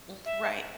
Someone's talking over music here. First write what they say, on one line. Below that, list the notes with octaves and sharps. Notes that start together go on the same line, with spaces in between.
M Right.
E5